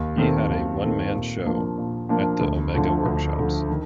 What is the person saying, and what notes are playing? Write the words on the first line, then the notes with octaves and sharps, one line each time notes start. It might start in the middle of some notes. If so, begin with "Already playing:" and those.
He had a one-man show at the Omega Workshops.
Already playing: D#2
D#3 A3 C4
D#2
D#3 A3 C4
A#2
F3 A#3 D4
A#2
F3 A#3 D4
D2
D3 F3 A3
D2
D3 F3 A3
D#3